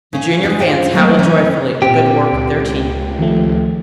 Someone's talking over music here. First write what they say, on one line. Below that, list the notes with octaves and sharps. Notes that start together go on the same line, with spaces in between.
The junior fans howled joyfully at the good work of their team.
C#3 C#4
G#3 D4 F#4
F4 C5 G5
F#3 A3 A#3 C4 A4 A#4
E3 C#4
A#2 C4 G4
C#2
D#3 F3 A3